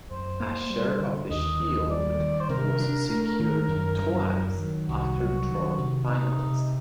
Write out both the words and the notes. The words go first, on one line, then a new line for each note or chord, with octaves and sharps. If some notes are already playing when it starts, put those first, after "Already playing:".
A share of the shield was secured twice after drawn finals.
F#2 C5
A#3
G3
D3
D#2 D#5
D#2
G3 D5
D#3
C5
C3 A#4
D4
A3
D#3
F#2
F#2
F#3
D#3
C2 F#4
F#3
D#3
C3
C3 D#4
C3